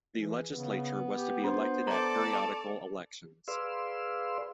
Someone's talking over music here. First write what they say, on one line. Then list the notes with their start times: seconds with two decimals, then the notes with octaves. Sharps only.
The legislature was to be elected at periodical elections.
0.19 E3 G#4
0.51 C#3 B3
1.14 G4
1.44 D4 C5
1.87 A4 D5 A#5
2.33 A5
3.48 G#4 B4 D5 F5 C6 E6